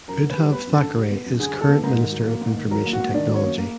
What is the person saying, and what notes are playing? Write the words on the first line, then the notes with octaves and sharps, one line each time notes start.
Uddhav Thackeray is Current Minister of Information Technology.
F#2 A#4 A#5
D3
B4 B5
G3
B3 B4 B5
F#2
A4 A5
D3
G3
B3
F#2
D3 G#4 G#5
G3
A4 A5
B3
G#2 A#4 A#5
D#3
F#3
A#3
G#2
D#3
F#3 A#4 A#5
A#3
F#4 F#5
G#2
D#3 D4 D5
F#3
C#4 C#5
A#3
A#3 A#4